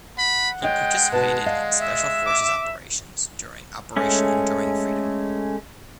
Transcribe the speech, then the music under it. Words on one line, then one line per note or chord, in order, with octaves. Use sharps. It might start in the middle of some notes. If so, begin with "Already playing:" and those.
He participated in special forces operations during Operation Enduring Freedom.
F#5 B5
G#3 C#5 D#5 G5
B2 F#4 A5
D5 D#5 F5
E5
D6
G#3 A3 C#4